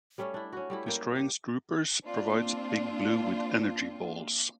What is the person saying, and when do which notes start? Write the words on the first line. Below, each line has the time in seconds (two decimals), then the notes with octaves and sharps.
Destroying Stroopers provides Big Blue with "energy balls".
0.18 G3 A3 C#4
0.34 D4 E4
0.53 C#4 F#4
0.70 G3 A3 E4
0.86 A#3 G5
1.15 G4
2.05 A#3 C4 D4 F4